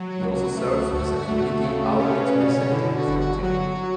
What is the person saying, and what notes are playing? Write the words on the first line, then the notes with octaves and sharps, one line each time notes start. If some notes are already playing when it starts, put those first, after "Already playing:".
He also serves as a community outreach executive for the team.
Already playing: F#3
F#4
C#2
F#4
A3
D2
A3
C#3
A4
C#4 G4
B4
B2 D5
B4
C#5
D3 E4
F#4
G1
F#4
F#3 F#4